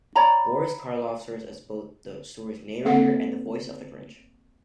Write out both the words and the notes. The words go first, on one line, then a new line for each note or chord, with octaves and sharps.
Boris Karloff serves as both the story's narrator and the voice of the Grinch.
C#5 D5 A#5 B5
A#3 C4 A4 F#5